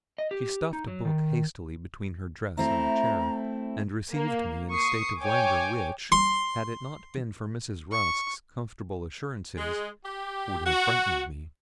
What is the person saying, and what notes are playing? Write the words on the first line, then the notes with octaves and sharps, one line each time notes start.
She stuffed a book hastily between her dress and the chair, and received me in a state of langour which, had it not been for Mrs. Rusk's comfortable assurances, would have frightened me.
D#5
G4
D#4
F#3
D#3
A3 C4 E4 A#5
A#3
C#6 D#6 C7
C#5 G5 G#5 D6
C6
C#6
G#3
G4
F#4